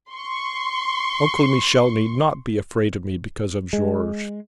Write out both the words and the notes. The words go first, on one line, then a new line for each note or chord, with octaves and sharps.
Uncle Michel need not be afraid of me, because of George.'
C6 C#6
G#3